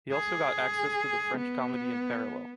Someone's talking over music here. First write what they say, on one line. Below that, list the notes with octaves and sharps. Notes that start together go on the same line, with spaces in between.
He also got access to the French Comedy in parallel.
G#4
B3